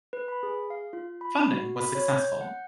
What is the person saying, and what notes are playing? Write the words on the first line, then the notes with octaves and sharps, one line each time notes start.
Funding was successful.
B4
B5
G#4
F5
F4
B5
F#4
B5
C#5
G6
F#5